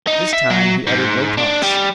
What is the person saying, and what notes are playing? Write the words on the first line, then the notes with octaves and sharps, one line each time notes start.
This time he uttered no taunts.
D#4
E5
F#3
G#2
D4
G3